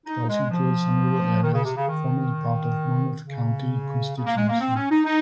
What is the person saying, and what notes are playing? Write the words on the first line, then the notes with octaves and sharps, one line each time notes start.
It also included some rural areas formerly part of Monmouth county constituency.
D#4
G#3
F3
D#3
C#3
C3
C#3
D#3
C#3
C#3
A#3
G#3
A#3
C4
C#4
D#4
D#4